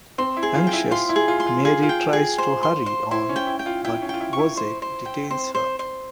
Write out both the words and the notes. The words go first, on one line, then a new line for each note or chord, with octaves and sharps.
Anxious, Marie tries to hurry on but Wozzeck detains her.
C4 C6
E4
G#4
F4
G5
E4
F4 C6
E4
G#4
F4
C6
F4
F4 G#4
F4
G5
G#4
C5
C6
C5
E4 C5
C#4
G5
E4
G5
F4
E4 G5
C#4
F4 G5
E4
C#6
E4
C5
C5
G5
C4 C5
C5
C5